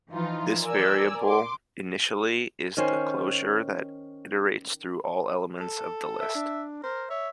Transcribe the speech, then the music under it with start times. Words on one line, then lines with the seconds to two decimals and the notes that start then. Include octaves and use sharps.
This variable initially is the closure that iterates through all elements of the list.
0.10 E3 F3 D#4 F4
0.63 A#4 D5 G#5 E6
1.24 C6 D6
2.77 D#3 C#4 C5
5.59 A4
6.20 E5
6.35 D4
6.83 A#4 C5
7.10 C#5 E5